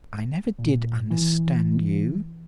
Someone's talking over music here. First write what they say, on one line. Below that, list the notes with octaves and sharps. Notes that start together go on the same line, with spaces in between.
"I never did understand you."
A#2
E3